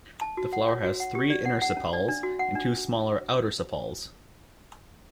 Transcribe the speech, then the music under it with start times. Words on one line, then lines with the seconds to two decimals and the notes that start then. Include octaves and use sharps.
The flower has three inner sepals and two smaller outer sepals.
0.21 A5
0.37 F#4
0.53 F#5
0.68 C#5
0.84 F#4
1.00 F#5
1.15 G4
1.30 D5
1.45 F#5
1.62 F#5
1.77 C#4
1.93 D5
2.08 D4
2.23 F#4
2.39 F#5
2.55 D4